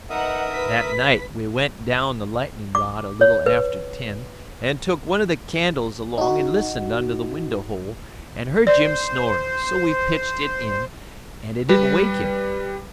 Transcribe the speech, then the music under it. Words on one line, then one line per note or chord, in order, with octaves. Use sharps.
That night we went down the lightning-rod a little after ten, and took one of the candles along, and listened under the window-hole, and heard Jim snoring; so we pitched it in, and it didn't wake him.
D#4 A#4 B4 E5 F#5 D#6
B4 B6
D6
C#5
B4
D#4 F#4
C5 D5
G3 B4